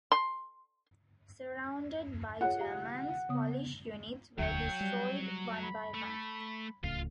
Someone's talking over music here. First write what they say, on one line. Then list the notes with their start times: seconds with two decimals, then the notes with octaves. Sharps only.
Surrounded by Germans, Polish units were destroyed one by one.
0.12 C6
2.41 F4 G#4 C#5 F#5
2.59 G4 F5 A#5
3.29 C#3 B3 D#6
4.38 E1 D2 F#3 C#5 G5
4.81 G3
5.63 B5
5.94 A3
6.84 D1 C#2 A2 F4 F5